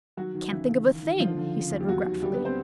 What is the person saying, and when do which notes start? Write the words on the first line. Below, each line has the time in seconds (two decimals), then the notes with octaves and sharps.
"I can't think of a thing," he said regretfully.
0.17 D#3 F#3 F#4
0.35 D#3
0.51 C#2 E3 E4
0.68 C#2
0.86 D#3
1.03 D#3
1.20 D3 F3 F4
1.37 D3
1.54 C#3
1.71 D#2
1.80 G4
1.88 E2 F#3 F#4
2.05 D#3
2.22 D2 G3 G4
2.34 B3 B4
2.39 D3
2.45 C4 C5